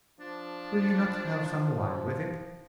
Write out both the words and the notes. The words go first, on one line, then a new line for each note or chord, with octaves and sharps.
"Will you not have some wine with it?"
F3 D4